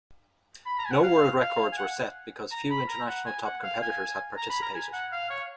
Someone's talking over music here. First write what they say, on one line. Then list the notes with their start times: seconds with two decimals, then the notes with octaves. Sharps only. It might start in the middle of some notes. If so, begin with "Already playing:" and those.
No world records were set, because few international top competitors had participated.
0.66 B5
0.79 A#5
0.85 G#5
0.91 F#5
1.04 F5
1.42 F5
1.73 G#5
1.77 F#5
2.53 A#5
2.71 B5
2.89 A#5
3.08 F#5
3.26 G#5
3.46 F#5
3.64 F5
3.82 G#5
4.38 A#5
4.50 B5
4.63 A#5
4.75 G#5
4.93 F#5
5.13 F5
5.30 C#5